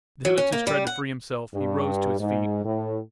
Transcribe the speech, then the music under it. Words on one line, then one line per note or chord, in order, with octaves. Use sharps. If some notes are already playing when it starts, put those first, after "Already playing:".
The hypnotist tried to free himself; he rose to his feet.
F#3
C#4
A#3
G3
F#5
G2
G#2
A2